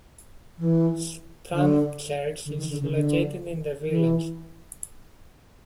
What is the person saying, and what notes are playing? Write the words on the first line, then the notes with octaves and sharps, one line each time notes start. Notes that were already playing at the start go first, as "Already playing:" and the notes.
Strand Church is located in the village.
E3
D3
D3
D#3
D3
C#3
D3
E3